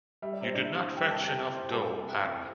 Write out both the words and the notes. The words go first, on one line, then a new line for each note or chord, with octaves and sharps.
You did not fetch enough dough, Anna.
G3 E5
D5
C3 C5
D4 D5
E4
C5
G3 G5
A5
C3
G4 G5
E4
C5
G3 A4 A5
C3
E4 G4 G5
C5